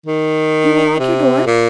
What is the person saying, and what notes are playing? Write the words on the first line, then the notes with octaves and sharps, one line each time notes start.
You will lock your door?'
D#3
C3
A#2